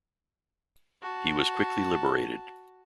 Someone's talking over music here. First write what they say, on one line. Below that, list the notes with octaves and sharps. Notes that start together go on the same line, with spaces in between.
He was quickly liberated.
F#4 A5